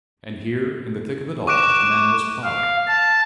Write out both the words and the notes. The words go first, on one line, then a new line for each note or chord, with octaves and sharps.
And here, in the thick of it all, a man was ploughing.
C#6 D6 F#6 D7 E7
F5
A5